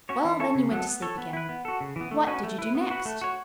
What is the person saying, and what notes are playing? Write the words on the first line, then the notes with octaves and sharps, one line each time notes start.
"Well, then you went to sleep again. What did you do next?"
C#4 F#4 C#5
E3
C#4 A4 C#5
C#3
F#3 B3 A4
B3
A4 C#5
B3
E4 B4
B3
F#4 A4
C#3
E3 B3
A3
C#4 F#4 B4
A3
E4 B4
B3
F#4 B4
A3
F#4 C#5